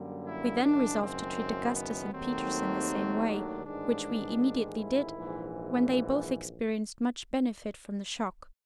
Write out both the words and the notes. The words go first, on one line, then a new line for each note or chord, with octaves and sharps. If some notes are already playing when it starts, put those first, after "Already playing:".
We then resolved to treat Augustus and Peters in the same way, which we immediately did, when they both experienced much benefit from the shock.
Already playing: F#2 D3 G3 A#3
E4
F#1 F#2 D#3 D4
C4
B3
D#2 D#3 F#3 A3 C4
D4
A1 G#2 D#3 G#3 D4
E4
A#1 G#2 E3